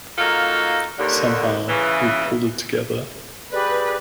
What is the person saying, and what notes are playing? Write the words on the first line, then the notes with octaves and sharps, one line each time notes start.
Somehow, we pulled it together.
A#3 D#4 F4 F#4 A4
D#2 D3
C#3 E3
G4 G#4 B4 D5